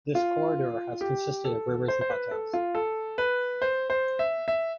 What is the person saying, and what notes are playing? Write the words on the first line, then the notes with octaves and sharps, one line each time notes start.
This corridor has consisted of rivers and plateaus.
F4
G4
A4
C5
C5
B4
A4
F4
A4
B4
C5
C5
E5
E5